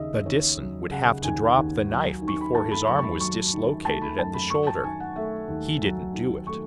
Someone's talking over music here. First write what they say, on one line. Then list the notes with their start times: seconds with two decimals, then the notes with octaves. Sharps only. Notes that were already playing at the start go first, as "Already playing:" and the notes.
The Disan would have to drop the knife before his arm was dislocated at the shoulder. He didn't do it.
Already playing: D#2 C#3 D#5 E5
0.25 D#2 C#5
0.58 F#3
0.90 C#3 F#5
1.23 D#2 G#5
1.57 D#2
1.89 F#3
2.22 D#3
2.28 C#6
2.41 B5
2.54 A3 A5
2.71 B5
2.87 F#2 C#6
2.98 C#6
3.03 B5
3.19 F#3 C#6
3.53 D#3
3.85 A3 A5
4.02 B5
4.17 F#2 A5
4.34 B5
4.50 F#3 C#6
4.67 A5
4.83 D#3 G#5
5.00 F#5
5.16 A3 E5
5.48 D#2
5.82 F#3
6.14 D#3
6.47 A3 C#6